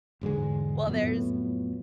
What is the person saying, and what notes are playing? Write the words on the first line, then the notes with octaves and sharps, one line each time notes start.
Well, there's
E1 G#2 D3 G#3
F2 A2 F#3 B3